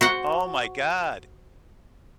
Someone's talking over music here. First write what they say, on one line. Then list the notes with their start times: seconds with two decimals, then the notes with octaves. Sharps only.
oh my god.
0.01 F#4 C5 F#5